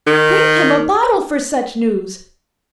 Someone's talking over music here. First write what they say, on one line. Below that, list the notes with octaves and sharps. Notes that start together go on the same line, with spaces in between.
Bring him a bottle for such news!
D#3